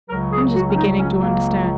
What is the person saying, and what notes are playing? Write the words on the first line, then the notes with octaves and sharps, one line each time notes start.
I am just beginning to understand.
C#2 C#3 F#3 A#4
G#4
F#4
C#4
D#4
C#4
A#3